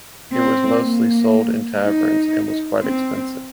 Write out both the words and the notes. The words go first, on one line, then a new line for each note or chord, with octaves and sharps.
It was mostly sold in taverns and was quite expensive.
C4
A#3
D#4
C4